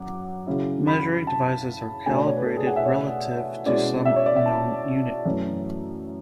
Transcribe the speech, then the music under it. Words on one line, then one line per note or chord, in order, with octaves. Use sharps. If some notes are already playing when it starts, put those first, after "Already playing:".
Measuring devices are calibrated relative to some known unit.
Already playing: F#2 F#5 D6
C#3 F#3 C#4 E4
B5
A5
B2 A3 D4 G#5
D5
C#5
B4
A4
G#4
F#5
E5
C#5
B2 G#3 C#4 E4 D5
E5
C#5
D5
E5
A5
F#2 E3 A3 C#4